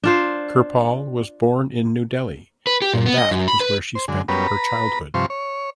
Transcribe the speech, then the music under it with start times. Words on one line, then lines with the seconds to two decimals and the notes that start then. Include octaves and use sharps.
Kirpal was born in New Delhi and that was where she spent her childhood.
0.04 D4 F4 C5
2.67 B4
2.82 G4
2.94 A#2
3.06 B3
3.18 D#5
3.31 F#2
3.48 B5
3.60 B4
3.95 C5
4.08 F#2 D3 G#3
4.28 F#2 G3 B3 C#4 A#4 B4
4.47 B4 A#5 B5
5.14 G2 C3 F3 C6 C#6
5.30 C#5